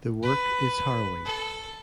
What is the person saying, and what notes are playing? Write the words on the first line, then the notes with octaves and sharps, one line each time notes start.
The work is harrowing.
B4
A4